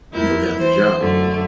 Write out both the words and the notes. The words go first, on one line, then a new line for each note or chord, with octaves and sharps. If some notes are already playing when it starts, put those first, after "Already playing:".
you know, got the job, you know
F2 E4 A#4 G6
E3 C5
F#2 D3 A3